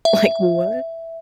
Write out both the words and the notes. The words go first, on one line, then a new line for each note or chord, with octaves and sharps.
Like, what?
E5